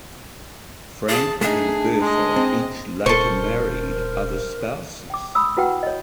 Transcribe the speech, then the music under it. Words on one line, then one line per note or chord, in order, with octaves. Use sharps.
Frank and Bertha each later married other spouses.
G#4 A5
A3 D4 D#4 G#4
G#3 D#5
C4
D#1 A4 A#4 C5 C#6
G5 D6
B5 D#6 E6
E4 F#4 B4 F#5 G5
C#5 D#5